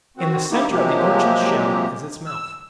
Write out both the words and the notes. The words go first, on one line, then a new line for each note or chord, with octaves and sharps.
In the centre of the Urchin's shell is its mouth.
D#3 C4 F#4
A#3 D#4 E4 G4
C3 F3 F#3 G#3 A#3 G4
E6